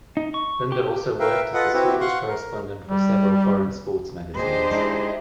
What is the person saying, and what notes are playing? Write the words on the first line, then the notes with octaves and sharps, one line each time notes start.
Linde also worked as the Swedish correspondent for several foreign sports magazines.
D#4
C#6
G4
A#4 B4 E5 F5 G5
F4 A4 B4 D#5 F#5
C4 E4 F#4 G4 B4
F5 F#5 C6 C#6
A#4
G3
A#2 D4 G4 G#4 C5 D#5
G#3 D#4 E4